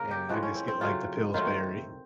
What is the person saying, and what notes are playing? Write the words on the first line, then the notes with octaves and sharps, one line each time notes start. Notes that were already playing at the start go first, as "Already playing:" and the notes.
And I just get, like, the Pillsbury.
Already playing: C#3 A#3 A#4
G4
A2 F3 G#3 C4 F#4
C#4
C4
C4
C#3 F#3 A3 C4 F4
D#3 F#3 A3 C4 F4